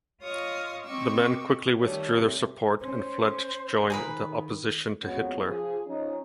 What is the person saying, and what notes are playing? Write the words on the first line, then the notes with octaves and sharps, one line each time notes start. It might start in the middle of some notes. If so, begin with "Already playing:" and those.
The men quickly withdrew their support and fled to join the opposition to Hitler.
F4 C#5 D#5 F5 C#6 D#6
C4 D#5 C#6 D6 E6
D#3 G3 A3 C#4
C3
C#4 C5
D#3 G#4 A#4 B4
F2 G#3 B3 C#4 F#4
F3 G#4
F3 C#4 D#4